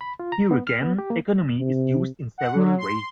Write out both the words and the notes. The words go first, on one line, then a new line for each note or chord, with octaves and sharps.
Here again, "economy" is used in several ways.
B5
F4
A#5
B3
F6
B3
G4
A#3
C3
F#5
F#3
C6